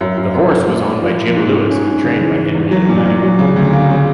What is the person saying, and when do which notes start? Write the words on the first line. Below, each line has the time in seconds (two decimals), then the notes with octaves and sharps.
The horse was owned by Jim Lewis and trained by Henrietta Knight.
0.01 F#2
0.17 F#2
0.34 F#2
0.51 F#2
0.68 A#2
0.85 A#2
1.02 F3
1.19 F3
1.36 G#2
1.53 G#2
1.70 C#4
1.87 G#2
2.04 C#3
2.21 E3
2.38 E3
2.54 E2
2.71 F#3
2.89 A#2
3.05 A#2
3.23 F#3
3.39 C#3
3.56 D2
3.73 A#3
3.90 C#3